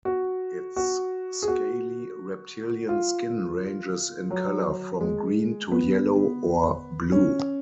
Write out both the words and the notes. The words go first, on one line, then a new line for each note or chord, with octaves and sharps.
Its scaly reptilian skin ranges in color from green to yellow or blue.
F#4
F#4
G#4
F#4
F4
F#3
G#3
B3
C#4